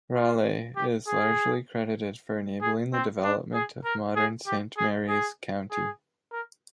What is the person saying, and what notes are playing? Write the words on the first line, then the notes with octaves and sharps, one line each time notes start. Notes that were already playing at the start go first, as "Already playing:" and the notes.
Raley is largely credited for enabling the development of modern Saint Mary's County.
F4
G4
G#4
G#4
C4
D4
G#4
A#4
G#4
G4
G#4
G#4
G#4
A#4